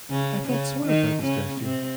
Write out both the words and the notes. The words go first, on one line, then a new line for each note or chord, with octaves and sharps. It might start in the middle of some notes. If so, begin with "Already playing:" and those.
I felt soiled by this gesture.
C#3 C#4
C#3 C#4
D#3 D#4
C#3 C#4
C3 C4